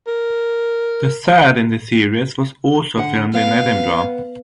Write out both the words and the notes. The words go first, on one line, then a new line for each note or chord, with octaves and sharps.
The third in the series was also filmed in Edinburgh.
A#4
D3 F#5
B3 F5